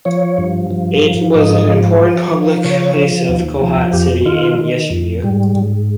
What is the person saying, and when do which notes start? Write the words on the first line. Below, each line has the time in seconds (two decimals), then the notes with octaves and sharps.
It was an important public place of Kohat city in yesteryear.
0.05 F3 C#5
0.38 G2
0.71 F3
1.03 F3
1.35 G#2 D#5
1.67 F3
2.00 F3
2.32 F3
2.64 C#3 C#5
2.96 F3
3.29 D#2
3.61 F3
3.93 F2 G4
4.26 D#3 F4
4.58 D#3
4.90 F2
5.22 G#2 G3
5.55 G#2